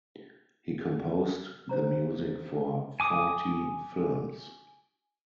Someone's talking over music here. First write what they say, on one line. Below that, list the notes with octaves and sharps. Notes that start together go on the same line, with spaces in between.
He composed the music for forty films.
D4 C5 A#5
G#5 D6 D#6